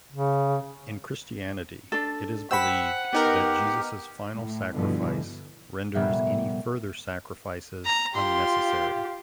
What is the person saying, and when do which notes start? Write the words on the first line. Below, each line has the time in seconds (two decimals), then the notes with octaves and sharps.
In Christianity, it is believed that Jesus's final sacrifice renders any further sacrifices unnecessary.
0.12 C#3
1.92 D4 A4
2.51 C5 F#5 G5 B5 E6 B6
3.13 B3 D#4 G4 A#4
4.36 A2
4.72 G2 B2 D3 E3 F3
5.95 F1 A#2 G3 B3 E5
7.85 A#5
8.15 F4 G4 C6